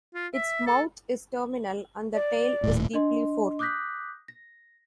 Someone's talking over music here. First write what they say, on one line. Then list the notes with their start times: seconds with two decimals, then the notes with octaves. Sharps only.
Its mouth is terminal and the tail is deeply forked.
0.14 F4
0.34 E5
0.67 A4
2.14 D5
2.64 D#1 A2
2.94 D4 D#5 C6
3.59 D6 D#6 F#6 G6 A#6 B6
4.28 A#6